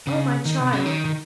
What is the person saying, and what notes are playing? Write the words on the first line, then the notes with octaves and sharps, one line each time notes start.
Oh, my child!
C#3
D#3
C3
C#3
D#3
D#3